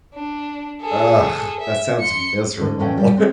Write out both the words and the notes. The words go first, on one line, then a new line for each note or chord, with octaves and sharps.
Ugh! That sounds miserable.
D4
G#4 A4
E5
C6 C#7
G#2 D3 C#4
F2 A2 E3 C#4 F#5 G5
G3 G4
C4